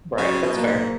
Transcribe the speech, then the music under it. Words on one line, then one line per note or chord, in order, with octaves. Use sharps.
Right, that's fair.
C#3 F#3
C3
B2
A#3
G#2